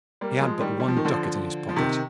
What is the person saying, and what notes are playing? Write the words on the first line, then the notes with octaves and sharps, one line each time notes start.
He had but one ducat in his pocket.
G3 A#3
F3 G#3
D#3 G3
G3
F3
D#3
D3 F3
F3
C3 D#3